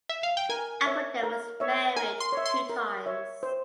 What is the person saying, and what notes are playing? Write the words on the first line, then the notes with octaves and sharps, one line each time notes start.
Appleton was married two times.
E5
F5
G5
A#4 G#5
C#5 E5
A#4
C#5 E5
A#4 G#5
C6
C#5 E5
C6
A#4
C#5 E5
C5